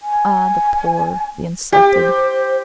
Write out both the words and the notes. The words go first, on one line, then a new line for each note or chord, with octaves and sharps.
Ah, the poor, the insulted!...
G#5
G4 G5
C5